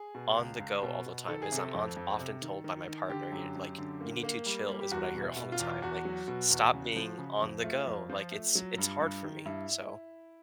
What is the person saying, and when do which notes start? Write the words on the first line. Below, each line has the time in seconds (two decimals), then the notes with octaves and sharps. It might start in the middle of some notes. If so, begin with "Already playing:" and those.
on the go all the time. As I'm on often told by my partner, you n like, "you need to chill," is what I hear all the time, like, "stop being on the go," like, it's it's hard for me. So,
Already playing: G#4
0.15 B2
0.37 C#2
0.60 C#2
0.83 B2
1.06 B2
1.29 D#3 A4
1.42 G#4
1.52 C3 A4
1.74 F2
1.96 F2
2.19 C3
2.42 D#3
2.64 D#3
2.88 D#3
3.09 D3 G4
3.32 F#2
3.56 F#2
3.78 D3
4.01 A#3
4.23 A#3
4.46 G3
4.69 G3
4.81 G4
4.92 E2 F#4
5.14 B2
5.22 E4
5.37 B2
5.52 F4
5.60 E2
5.82 E2 F#4
6.05 F#3
6.28 B2
6.50 E2
6.74 C#3
6.96 F3
7.19 C#3
7.42 F2
7.64 A3 F4
7.87 F2
8.09 F3
8.32 A3
8.55 F#3
8.78 G2
9.00 G2
9.23 D#3
9.45 G2 E4